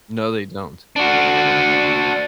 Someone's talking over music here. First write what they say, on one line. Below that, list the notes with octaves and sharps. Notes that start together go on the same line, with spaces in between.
No, they don't.
D4 F#4